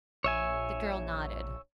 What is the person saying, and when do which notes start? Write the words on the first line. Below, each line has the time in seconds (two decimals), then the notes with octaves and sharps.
The girl nodded.
0.24 A#1 C#5 E5 G#5